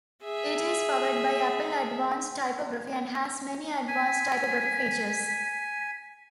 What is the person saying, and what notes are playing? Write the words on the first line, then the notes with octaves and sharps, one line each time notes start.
It is powered by Apple Advanced Typography and has many advanced typography features.
G#4 E5
G#5 B6